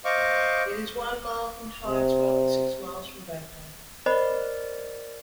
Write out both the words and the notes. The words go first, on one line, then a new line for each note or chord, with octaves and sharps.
It is one mile from Tideswell and six miles from Bakewell.
C5 D#5 F5 C#6 D6
C3
A#4 C5 D5 D#5 B5